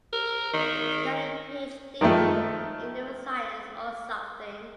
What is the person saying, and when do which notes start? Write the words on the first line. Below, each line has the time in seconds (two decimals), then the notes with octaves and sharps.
She got a Ph.D. in neuroscience or something.
0.13 A#4
0.54 D#3
2.01 D#3 F3 G#3 A3